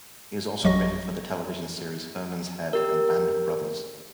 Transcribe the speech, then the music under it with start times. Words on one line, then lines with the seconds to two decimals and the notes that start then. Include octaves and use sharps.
He has also written for the television series "Herman's Head" and "Band of Brothers".
0.63 A1 F#2 F#3 D#5 C#6 A#6
2.73 G4 A#4